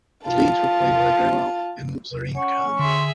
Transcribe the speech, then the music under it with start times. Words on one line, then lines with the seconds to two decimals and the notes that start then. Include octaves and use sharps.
The leads were played by Grewal and Zareen Khan.
0.25 F4 A5
2.35 C#4 F#5 C#6
2.79 D3 G#4 E5 C6